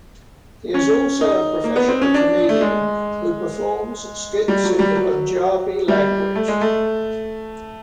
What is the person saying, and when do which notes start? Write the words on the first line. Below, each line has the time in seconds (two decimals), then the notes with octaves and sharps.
He is also a professional comedian who performs skits in the Punjabi language.
0.74 C#4
1.21 D#4
1.64 A#3
1.76 B3
1.88 C4
2.01 C#4
2.14 D4
2.49 A3
2.61 G#3
4.48 G3
4.64 F#3
4.79 G3
4.95 F#3
5.88 G3
6.35 A3
6.48 G#3
6.61 A3